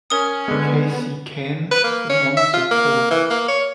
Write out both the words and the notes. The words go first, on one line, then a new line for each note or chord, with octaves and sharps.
Kasey Kahne won the pole.
C#4 A#4 D#6
D3 G#3 B3
B4
A#3
C#4
E5
F4
A#3
E3
A#3
C#5